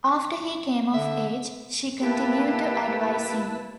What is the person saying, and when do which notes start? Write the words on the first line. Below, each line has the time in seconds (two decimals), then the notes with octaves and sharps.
After he came of age, she continued to advise him.
0.94 D3 E5
2.01 A#3 E4 G4 B4 A5